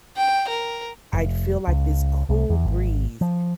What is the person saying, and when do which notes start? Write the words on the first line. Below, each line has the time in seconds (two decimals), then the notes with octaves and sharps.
I'd feel like this cool breeze,
0.17 G5
0.49 A#4
1.13 F1
1.68 C#2
2.29 C2
2.49 E2
2.65 G#1
3.21 F3